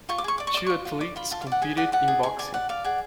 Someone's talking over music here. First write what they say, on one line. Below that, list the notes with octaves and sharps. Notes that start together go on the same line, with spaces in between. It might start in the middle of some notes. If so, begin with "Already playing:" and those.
Two athletes competed in boxing.
F4 C#6
D6
G#4 C#6
D5 D6
C#6
D5 D6
F4 C#6
F4
D5 D6
F4 B5
F4 A5
F5
D5
F#5
G#4 G#5
D5 F#5
D5 F#5
G#4
G#4 G#5
D5 G#5
D5 F#5
D5 F5
G#4 F#5